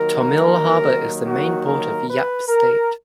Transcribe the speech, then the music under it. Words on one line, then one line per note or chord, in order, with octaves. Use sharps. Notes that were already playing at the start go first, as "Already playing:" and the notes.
Tomil Harbor is the main port of Yap State.
Already playing: D#2 D#3 F#3 A#3 A#4
F#4
A#4
B4
A#4